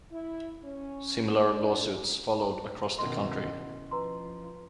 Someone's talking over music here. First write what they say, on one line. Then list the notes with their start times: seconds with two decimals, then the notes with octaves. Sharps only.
Similar lawsuits followed across the country.
0.12 E4
0.63 C#4
1.49 D4
2.99 B2 D#3 C#4 E4 D#5 C6
3.91 F3 B4 A#5 C6